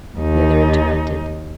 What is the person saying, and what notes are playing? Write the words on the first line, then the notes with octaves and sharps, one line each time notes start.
The other interrupted.
D#2 D#4